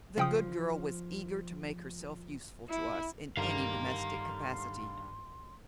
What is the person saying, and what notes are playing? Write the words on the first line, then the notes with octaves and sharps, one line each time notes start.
The good girl was eager to make herself useful to us in any domestic capacity.
C#3 F3 G5 D#6
E4
G2 D3 D#3 G3 F5 A#5 C6